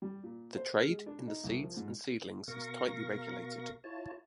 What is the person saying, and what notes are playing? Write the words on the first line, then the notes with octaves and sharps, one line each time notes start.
The trade in the seeds and seedlings is tightly regulated.
G3
A#2
C5
F6
G#3
D4
D#4
C2
F3
G#2
B2 A#4 F5 C#6 A#6
E4 F4 C#5 A5